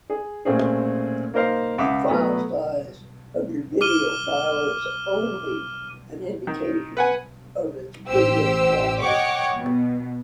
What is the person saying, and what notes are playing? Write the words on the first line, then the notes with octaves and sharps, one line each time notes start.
The filesize of a video file is only an indication of its video quality.
G#4
A#2 A3 C4 C#4 G#4
A#3 D#4 A#4 C5 F5
C#2 E5 F#5 D6 D#6
F#3 A3 B3 B4
D6 F6 D#7 G7
D#3
B4 F#5 G#5
A1 G4 C5 E6
C#5 D#5 F#5 G5 C#6 D6
B2